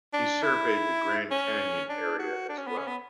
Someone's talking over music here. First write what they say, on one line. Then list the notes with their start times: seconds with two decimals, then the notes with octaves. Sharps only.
He surveyed the Grand Canyon area as well.
0.13 D4
0.42 E4
1.31 C#4
1.89 D4
2.19 F#4
2.49 D4
2.57 C#4
2.67 B3
2.78 C#4
2.87 B3